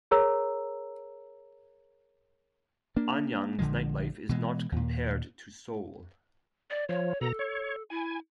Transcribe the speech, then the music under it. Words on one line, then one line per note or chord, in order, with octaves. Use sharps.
Anyang's nightlife is not compared to Seoul.
G#4 A#4 C#5 A#5 E6
A#3 D4
A#1 D3 F3 G#3
B2 E3 G#3
D#2 A#2
D5
F3 C#5
B2 A4 A#5
C#5
E4 G#5